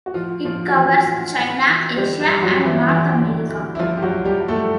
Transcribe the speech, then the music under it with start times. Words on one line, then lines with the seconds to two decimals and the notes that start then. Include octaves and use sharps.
It covers China, Asia and North America.
0.06 F#4
0.14 A2 F3 F4
0.45 A2 F3 F4
0.68 F#4
0.75 E3 F3 F4
1.06 A2
1.37 A2
1.66 E3
1.97 D3 G3 G4
2.19 G3 G4
2.28 G2
2.43 F#3 F#4
2.58 F3
2.65 E3 E4
2.88 G2 E3 E4
3.19 D3
3.49 D3
3.75 E4
3.79 G2 F3 F4
3.97 G4
4.02 F#3 F#4
4.10 G2
4.25 G3 G4
4.40 G2
4.48 A3 A4